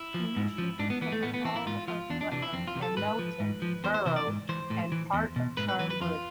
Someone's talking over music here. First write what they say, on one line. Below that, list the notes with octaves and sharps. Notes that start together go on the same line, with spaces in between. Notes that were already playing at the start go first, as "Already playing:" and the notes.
Initially it covered all of Rutland and Melton Borough and part of Charnwood.
Already playing: E4
F3
G#2
F3
G#2 D4
B3
E3 B3
A3
A2 B3
B3
E3 C4
E4
G#2 F4
F3 F4
E2 D4
D4
C3 E3 D4
E4
F2 C4
F4
C3 E3
A4
G#2 B4
F3
G#2
F3
E2 C5
C5
C3 E3 C5
D5
G#2
E3 C5
A2
E3
E2
B2
G#2 B4
B4
E3 B4
B4
F2 F4